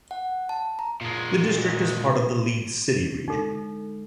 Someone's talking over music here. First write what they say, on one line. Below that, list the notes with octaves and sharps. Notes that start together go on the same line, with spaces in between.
The district is part of the Leeds City Region.
F#5
A5
A#5
A#2 G#3
D3 G#3 D#4 A4